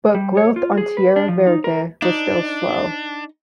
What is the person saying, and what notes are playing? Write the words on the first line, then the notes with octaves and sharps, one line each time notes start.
But growth on Tierra Verde was still slow.
G3
C#5
F4
G#4
B4
D4
F3
D#4
A#4
D4 D#4